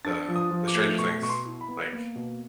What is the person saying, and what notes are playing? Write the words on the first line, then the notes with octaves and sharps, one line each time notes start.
the the Stranger Things, like,
D4 A6
F3
D#6
F3
D6
A3
B2 C#6
B2 C#6
C6
E4
B5
B3
A#3
B2